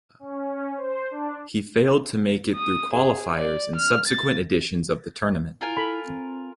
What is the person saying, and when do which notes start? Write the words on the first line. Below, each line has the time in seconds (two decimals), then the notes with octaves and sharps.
He failed to make it through qualifiers in subsequent editions of the tournament.
0.19 C#4
0.77 C5
1.11 D4
2.55 D#6
2.94 G#4
3.35 D5
3.76 F6
4.08 A6
5.61 E4 F4 A#4 G#5
5.77 A4 B5
6.05 C4